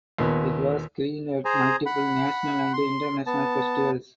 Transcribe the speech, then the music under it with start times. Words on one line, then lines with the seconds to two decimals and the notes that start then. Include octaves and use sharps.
It was screened at multiple national and international festivals.
0.18 D#2 A#2 B3
1.45 G#4 C5 G#5 A#5
1.86 F#5 B5
2.74 C6
3.26 B3 A5